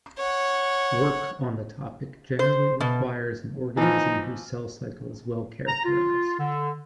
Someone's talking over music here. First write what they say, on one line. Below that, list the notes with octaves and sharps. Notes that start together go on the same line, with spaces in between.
Work on the topic generally requires an organism whose cell cycle is well-characterized.
C#5 F#5
C5
B2
E3 F3 D#4
A#5
F4
D3